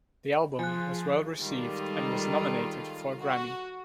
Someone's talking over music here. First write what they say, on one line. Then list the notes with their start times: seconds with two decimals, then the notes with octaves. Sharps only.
The album was well received and was nominated for a Grammy.
0.59 F3 F4 G#4 G#5 F#6
1.40 D#3 G3 G#3 F4 A4
3.21 F#4